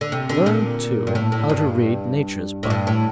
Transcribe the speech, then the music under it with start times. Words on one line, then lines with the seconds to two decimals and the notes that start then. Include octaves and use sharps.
Learn, too, how to read Nature's book.
0.01 D3
0.12 C3
0.29 D3
0.46 A#2
1.07 G2
1.15 A2
1.32 A2
1.49 G2
2.63 A2
2.70 G2
2.87 A2